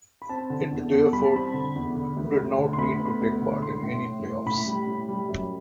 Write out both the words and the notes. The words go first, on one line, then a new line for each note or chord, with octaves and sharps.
It therefore did not need to take part in any play-offs.
B5
C4 A5
D3
E2
E2
G3 B5
A5
C4 B5
D3
E2
D3
D2
D2
D3
C6
D2 B5
B3
D2
D3
A2 C6
A2
A2
A2
A2 B5
G3
A2
G3
F#2